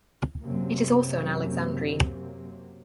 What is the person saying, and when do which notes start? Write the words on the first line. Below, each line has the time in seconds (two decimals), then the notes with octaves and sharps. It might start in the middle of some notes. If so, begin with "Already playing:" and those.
It is also an alexandrine.
0.42 F#2 C3 A#3